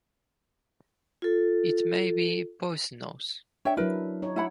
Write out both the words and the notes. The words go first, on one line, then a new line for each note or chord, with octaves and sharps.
It may be poisonous.
F4 A4
D4 C#5 E5 G5
F#3 E4 A#4 B4
D#4 C#5
E4 F#5 B5